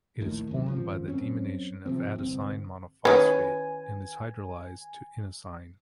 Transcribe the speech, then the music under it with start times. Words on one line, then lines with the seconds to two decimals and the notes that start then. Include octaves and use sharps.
It is formed by the deamination of adenosine monophosphate, and is hydrolysed to inosine.
0.21 A#1 D#2 A2 D#3
0.47 D#1 G#1 F#2
0.66 G#1 C#2 F3
1.08 F#2 C4 C#4
1.86 C3 F3 C4
2.19 G1 C2 C4
3.05 D#3 C#4 B4 G#5